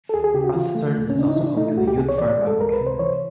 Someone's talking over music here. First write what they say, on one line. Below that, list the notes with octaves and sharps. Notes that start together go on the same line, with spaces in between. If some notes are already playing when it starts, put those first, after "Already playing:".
Rosthern is also home to the Youth Farm Bible Camp.
A4
D#2 G#4
G#4
C#3 G4
F#4
E3 F4
A3
D#2
C#4
C#3 D4
D#4
E3 E4
D4
A3 D#4
E4
C#2 F#4
G4
C3 G#4
C#5
E3 D5
G#3
A4
C#2 A#4
B4
C3
C5
E3 C#5